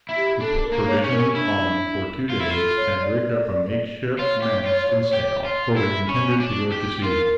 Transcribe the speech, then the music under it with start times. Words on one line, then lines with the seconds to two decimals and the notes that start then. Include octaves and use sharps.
We put provisions on for two days and rigged up a make-shift mast and sail, for we intended to go to sea.
0.09 E4
0.16 G4
0.40 D4 A4
0.64 A#4
0.72 A#3
0.87 C#5
1.03 C#4
1.12 A#4
1.34 D4 E4
2.29 F4
2.40 E4
2.49 F4 A4
2.77 C#5
3.01 D5
4.19 F4 C#5
4.42 G4
4.66 F4
5.13 G4
5.45 F4
5.77 E4
6.09 C#4
6.40 D4
6.72 G4
7.03 F4 A#4